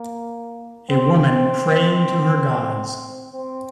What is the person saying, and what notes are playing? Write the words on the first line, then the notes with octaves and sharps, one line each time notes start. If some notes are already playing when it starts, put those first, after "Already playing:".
A woman praying to her gods.
Already playing: A#3
C4
C4